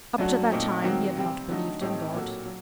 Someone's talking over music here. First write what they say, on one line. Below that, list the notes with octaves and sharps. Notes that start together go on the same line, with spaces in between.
Up to that time, he had not believed in God.
F#2 F#3 A3 D4 F#4
A#2 A3 C4 D#4
D#3 F#3 C4 F#4
C3 G3 C4 G4
D3 F#3 A3 D#4
A2 A3 C4 D#4 G4
A#2 F#3 A#3 F#4 A4
F#3